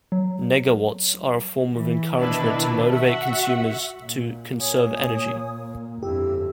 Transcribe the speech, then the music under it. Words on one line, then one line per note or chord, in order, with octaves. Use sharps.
Negawatts are a form of encouragement to motivate consumers to conserve energy.
F#3
E3
B2 D#3 D4 E4 B4
F#4 E5 F#5
A#2
C#5 G#5 D#6
G1 F2 C4 E4 G4 E6